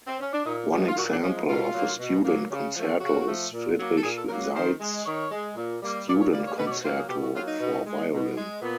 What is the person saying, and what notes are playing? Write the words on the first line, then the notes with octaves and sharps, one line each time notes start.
One example of a student concerto is Friedrich Seitz's "Student Concerto" for violin.
C4
C#4
D4
A#2 D#4
F3 G#3 G4
F4
A#2 F#4
D4
F3 G#3 C#4
D#4
B2 F4
F#3 A#3
B2
F#3 A#3
C#3
F3 A3
C#3 F#4
F3 A3
A#2
F#3 A#3
A4
A#2 G#4
A4
F#3 A#3 A#4
B4
D#3 C5
G#3
D#3 C#5
G#3
A#2
G3 A#3
A#2 D5
C#5
G3 A#3 D5
C#5
B2 B4
D5
C#5
F#3 A#3 C5
G#4
B2 G4
F#4
F#3 A#3 F4
D#4
B2
G#3
B2
G#3
A#2 B3